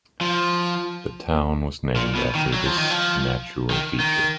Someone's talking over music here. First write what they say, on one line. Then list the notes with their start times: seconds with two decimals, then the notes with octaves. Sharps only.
The town was named after this natural feature.
0.21 F3
1.96 A#2
2.15 B2
2.35 D#3
2.54 F#3
2.66 F3
2.78 D#3
2.90 F3
3.70 D#3
4.00 D#3